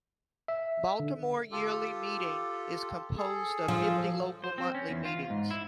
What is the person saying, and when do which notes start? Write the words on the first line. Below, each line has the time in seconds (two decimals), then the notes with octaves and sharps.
Baltimore Yearly Meeting is composed of fifty local Monthly Meetings.
0.48 E5
1.00 D3
1.52 F4 G4 A4
3.17 G#4 A4
3.68 F3
4.44 C5
4.58 C4
4.75 C#4
4.90 E2
5.05 F4
5.30 G#2
5.51 E4